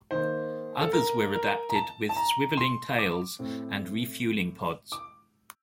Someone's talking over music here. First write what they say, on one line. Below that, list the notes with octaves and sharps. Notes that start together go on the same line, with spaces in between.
Others were adapted with swiveling tails and refueling pods.
D#3 A#3 C5
A4
A#4
A#4
A#5
A5
A5
A#5
C6
D6
A2 A3 C4
D6